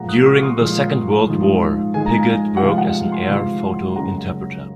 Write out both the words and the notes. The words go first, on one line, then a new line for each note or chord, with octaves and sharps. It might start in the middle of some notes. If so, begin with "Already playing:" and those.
During the Second World War Piggott worked as an air photo interpreter.
Already playing: A#2 F3 G#3 F#5 A#5
D#6 F#6
C#6 F6
C6 D#6
A#2 F3 G#3
G#2 F3 G#3
G#2 F3 G#3 G#5
A#5
F5 G#5
F#5
C3 F3 G#3 F5
F#5
G#5 C6
C3 F3 G#3
F#2 C#3 G#3 F#5 A#5